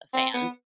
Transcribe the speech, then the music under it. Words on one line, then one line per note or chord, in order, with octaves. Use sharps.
a fan.
C4
B3